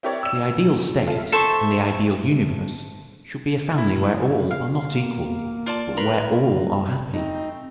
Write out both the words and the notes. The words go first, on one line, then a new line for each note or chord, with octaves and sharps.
The ideal state and the ideal universe should be a family where all are not equal, but where all are happy.
C4 E4 G4 A#4 C#5 D5
E6 E7
E4 F4 A4 F5
A4 C5 E5 C#6
E4
F5
A#3
F4 D5 A5
A#4 B4 B5 C6
D3
A3 C4 D#4